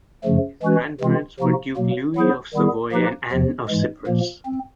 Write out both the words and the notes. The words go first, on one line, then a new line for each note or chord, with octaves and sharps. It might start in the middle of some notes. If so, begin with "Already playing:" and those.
His grandparents were Duke Louis of Savoy and Anne of Cyprus.
F#2 C#3 F3 A3
E3 G#3 C#4 F#4 B4
C3 E3 G#3 C4 F4
C3 F3 A#3 D#4 F#4
B2 F#3 A#3
F#3 B3 E4 G#4 C5
D#3 G3 B3 E4 G#4
F3 A#3 D#4 G4 B4
E2 C3 F3
G#2 E3 G#3
A#2 F3 A#3
C4